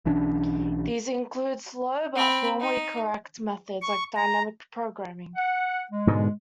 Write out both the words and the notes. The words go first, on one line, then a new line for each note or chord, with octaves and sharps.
These include slow but formally correct methods like dynamic programming.
B1 E3 C#4 D4
C4 B5
D#4
C#6
A#5
F#5
G#3
G#2 B2 D3